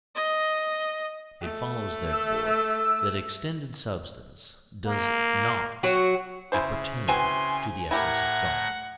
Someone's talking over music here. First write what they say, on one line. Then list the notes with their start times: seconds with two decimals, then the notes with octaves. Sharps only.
It follows, therefore, that extended substance does not appertain to the essence of God.
0.15 D#5
1.41 A3
2.12 E6
4.86 A#3
5.83 F#3 F#4
6.52 C#3 E4 G#4 C5
7.09 E3 C4 F#4 G#5 C6
7.91 A2 E4 G4 A#4 F#5 A#5 G#6